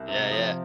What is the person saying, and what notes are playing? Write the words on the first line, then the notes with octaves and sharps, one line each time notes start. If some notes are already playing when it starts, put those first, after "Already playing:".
Yeah, yeah.
Already playing: C2
C3
F3